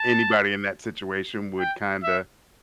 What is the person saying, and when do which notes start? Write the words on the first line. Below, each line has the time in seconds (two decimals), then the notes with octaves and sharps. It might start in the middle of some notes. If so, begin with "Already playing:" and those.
anybody in that situation would kinda
Already playing: A5
1.59 G5
2.03 E5